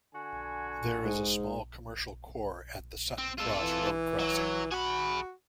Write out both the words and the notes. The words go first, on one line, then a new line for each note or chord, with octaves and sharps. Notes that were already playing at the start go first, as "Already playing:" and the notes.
There is a small commercial core at the Sutton Cross road crossing.
D3 F#4 G#5
G#2
C4
G#3 F4 A4
E3
F#3
F#4 G#4 B5